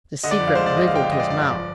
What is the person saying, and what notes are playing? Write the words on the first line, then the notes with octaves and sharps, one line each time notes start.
The secret wriggled to his mouth.
D3 D#5
D5
F2
F5
G#3 C5
D5
G1
D#5
D3 F5
G5
F2 F5
D#5
G#3 D5
D5
G1
D5
F3